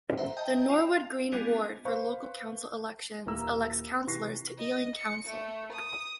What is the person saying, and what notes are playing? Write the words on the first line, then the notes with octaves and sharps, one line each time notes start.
The Norwood Green ward for local council elections elects councillors to Ealing Council.
C5 E5 F#5 A#5
D#5 G5 A5 G6
F4
G3 B3 C#4 D4 F4 G#4
B4 C5 F5 B5 C#6
D#1 E3 A#3 E4 A#5 E6
C3 E3 B4 C#6 A#6 C7
D#5
C#7
A3
D#6